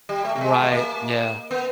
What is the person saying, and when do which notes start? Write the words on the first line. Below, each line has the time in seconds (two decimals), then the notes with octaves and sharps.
Right, yeah.
0.09 G3
0.24 A3
0.36 A3
0.41 G#3
0.62 A3
0.72 A#3
1.51 B3